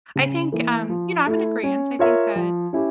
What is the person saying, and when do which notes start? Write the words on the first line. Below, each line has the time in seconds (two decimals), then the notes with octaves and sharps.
I think, um, you know, I'm in agreeance, I think that,
0.16 C#3
0.52 E3 A#3
0.89 F3
1.27 A3 E4
1.63 C#4
1.99 F4 A#4 C#5 E5
2.36 F3
2.73 C#4 E4 G4